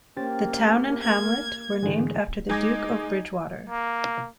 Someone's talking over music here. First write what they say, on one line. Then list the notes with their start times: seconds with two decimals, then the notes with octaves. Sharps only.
The town and hamlet were named after the Duke of Bridgewater.
0.17 A#3 C#4 G4 C5 A6
1.02 G#6
1.83 G#2 D3 E3 G#3 A3
2.50 G#3 D#4 G#5 D6 G#6 A#6
3.70 A#3